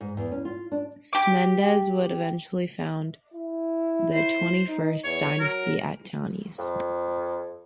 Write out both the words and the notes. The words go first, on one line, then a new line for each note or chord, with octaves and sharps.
Smendes would eventually found the Twenty-first Dynasty at Tanis.
G#2
E2
C#4
F4
D4
G4 D6
E4
C5
D#4
E2 C#5
F#3 A#4
F2